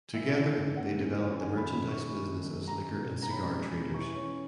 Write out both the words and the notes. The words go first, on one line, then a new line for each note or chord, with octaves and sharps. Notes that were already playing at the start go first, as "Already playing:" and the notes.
Together they developed the merchandise business as liquor and cigar traders.
E3 E5
C#4
G#2
A#3 F#5
E3
C#4
D#3 G#5
B5
F#2
B5
F#2
C#6
G#3
D#3
F#2
G#3 A#5
B2
B2
A#5
C#4 B5
G#3
B2
E3 C#6
C#4